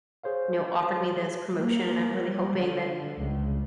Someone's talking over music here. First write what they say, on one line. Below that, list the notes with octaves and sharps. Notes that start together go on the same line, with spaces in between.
you know, offered me this promotion, and I'm really hoping that,
G#4 C5 C#5 F5
A#3
G3
D3
C#2